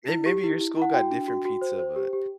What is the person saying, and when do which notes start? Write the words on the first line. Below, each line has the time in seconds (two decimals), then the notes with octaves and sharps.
And maybe your school got different pizza, but
0.08 E4
0.26 G4
0.44 E4
0.60 E4
0.77 E4 F#5
0.94 F#4 G5
1.11 D4
1.28 F#4
1.45 F#4
1.61 C5
1.79 C5
1.96 G4
2.13 G4